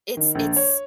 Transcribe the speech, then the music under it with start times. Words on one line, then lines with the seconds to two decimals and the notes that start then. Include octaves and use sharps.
it's it's
0.17 D#3
0.35 A#1
0.56 C#5